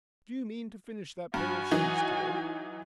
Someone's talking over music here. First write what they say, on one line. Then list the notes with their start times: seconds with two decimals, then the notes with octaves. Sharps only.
"Do you mean to finish that pair of shoes to-day?"
1.34 G2 F#4 G#5
1.71 E3 F#3 D#4